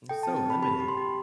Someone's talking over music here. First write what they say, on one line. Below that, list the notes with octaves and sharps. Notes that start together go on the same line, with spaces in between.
And so limited,
A4 G5
C4 A5
A5
C4 B5
G4 B5
G4
C6
G4